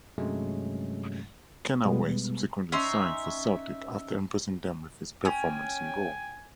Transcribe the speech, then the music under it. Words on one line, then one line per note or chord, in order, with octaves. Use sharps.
Kennaway subsequently signed for Celtic after impressing them with his performance in goal.
G2 C3 F#3 G#3 A3 C#4
B2 G3 G#3 B3
C#4 D#4 E5 C6
C#4 G5 G#5